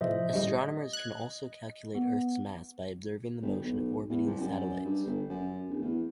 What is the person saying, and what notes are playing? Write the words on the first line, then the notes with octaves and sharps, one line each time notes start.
Astronomers can also calculate Earth's mass by observing the motion of orbiting satellites.
A2 C3 F3 C5 D#5 E5
A2 G3 C#4 D#5
F#6 G#6
B3
G1
B1
E2
C2
F#2
G2
G1
F#2
D1
E2